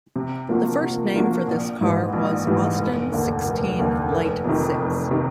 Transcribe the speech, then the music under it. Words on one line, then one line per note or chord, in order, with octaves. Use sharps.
The first name for this car was Austin Sixteen Light Six.
C3
F3 A#3 D4 F#4
C3
F3 A#3 D4 F#4
A#1
G#2 E3 G3
A#1
G#2 E3 G3
F1
D#2 D3
F1
D#2 D3
F1
F2 C3 D#3
F1
C3 D#3